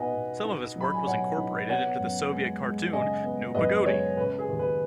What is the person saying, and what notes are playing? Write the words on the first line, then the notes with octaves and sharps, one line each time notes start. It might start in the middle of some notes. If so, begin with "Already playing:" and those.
Some of his work was incorporated into the Soviet cartoon, Nu Pogodi!
Already playing: B2 B3 D#4 B4 D#5 F#5 G#5
B2
D#4
F#3 B5
G#5
B2 C#5 F#5
D#4
B3 C#5 F#5
F#2
G#3
G#3
C#3 D#5 G#5
B3
F#2 B4 D#5
G#3 G#4 C#5
C#3 B4
G#4
D#2
B4